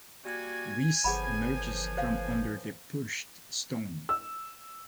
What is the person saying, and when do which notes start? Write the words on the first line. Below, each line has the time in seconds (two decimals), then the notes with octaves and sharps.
Luis emerges from under the pushed stone.
0.25 G3 A#3 F#4 G#5 G#6
1.04 G1 A2 E3 F3 G#4 F#5 B5
1.97 C5 F5
4.09 E6